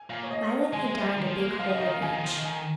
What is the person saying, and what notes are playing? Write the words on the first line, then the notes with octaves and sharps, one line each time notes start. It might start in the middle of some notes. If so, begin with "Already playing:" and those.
Violet had darned a big hole in each.
Already playing: G#5
A#2 F5
C#5
D#5
G#3 G#5
G#3
G#3
F3
D#3
F3
A#3
G#3
F3 F5
D#5
C#3
D#3 D#5
F5
C#3 G#5
D#3
F3
D#3
D#3 G#5